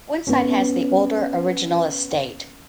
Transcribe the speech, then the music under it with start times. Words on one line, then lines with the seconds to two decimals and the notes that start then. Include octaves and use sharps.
One side has the older, original estate.
0.27 B3 C#4